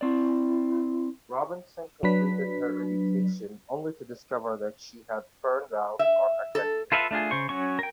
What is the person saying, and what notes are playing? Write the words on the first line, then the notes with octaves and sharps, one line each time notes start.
Robinson completed her education only to discover that she had "burned out" on academia.
C4 E4 D5
F#3 D4 B4 B6
E5
A4
F4 A4 B4 E5 F5
A3 D4 F4 G#4
C#3 C5 C#6
F#3 C#4 C#6
A#4 G5